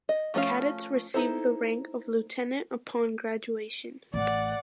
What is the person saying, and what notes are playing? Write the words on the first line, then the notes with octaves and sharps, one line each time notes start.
Cadets receive the rank of Lieutenant upon graduation.
D#5
F3 A3 C#4 F4 F5
D#4 E4 A4 C5
A1 D5 F#5